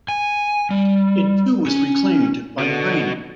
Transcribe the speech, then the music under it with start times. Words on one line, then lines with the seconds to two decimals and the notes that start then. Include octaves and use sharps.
It too was reclaimed by draining.
0.08 G#5
0.71 G3
1.67 C#4
2.58 B2 D3